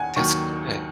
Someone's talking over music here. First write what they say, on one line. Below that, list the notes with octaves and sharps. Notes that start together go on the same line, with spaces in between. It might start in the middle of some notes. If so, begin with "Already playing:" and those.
That's good.
Already playing: D#2 D#3 F#5 G#5
D#2 D#3 F#3 C#6